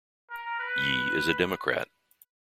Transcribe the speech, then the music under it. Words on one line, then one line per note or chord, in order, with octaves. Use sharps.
Yee is a Democrat.
A#4
B4